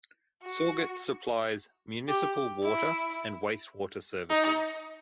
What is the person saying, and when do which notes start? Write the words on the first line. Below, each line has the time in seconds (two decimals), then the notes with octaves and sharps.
Sauget supplies municipal water and wastewater services.
0.43 F#4
2.09 G4
2.64 E4
4.30 D#4